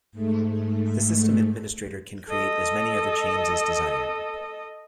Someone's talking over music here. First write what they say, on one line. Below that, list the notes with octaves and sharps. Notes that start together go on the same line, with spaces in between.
The system administrator can create as many other chains as desired.
G#2 A3
A4 D#5